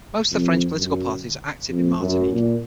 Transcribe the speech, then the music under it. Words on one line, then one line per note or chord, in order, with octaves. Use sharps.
Most of the French political parties are active in Martinique.
F2
F#2
F2
F#2
A#2